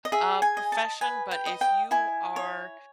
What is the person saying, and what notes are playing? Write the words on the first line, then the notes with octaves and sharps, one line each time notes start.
uh, profession, but if you are,
D#5
G#4 E5
G#5
D#5
A5
B4 G#5
G5
D#5
G5
E4 G#5
C#5